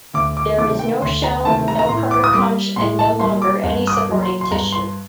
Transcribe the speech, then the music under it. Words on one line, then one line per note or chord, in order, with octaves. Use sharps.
There is no shell, no protoconch and no longer any supporting tissue.
D2 D6
D6
C3 D#3 A3 C4 D6
G5
D2 C6
A#5
C3 D#3 A3 C4 A5
A#5
A#5
A2 C6
D6
D#6
G3 A#3 D6
A2 C6
A5
G3 A#3 C6
D6
G2
D#6
D6
F#3 A#3
C6
C6
G2 A#5
C6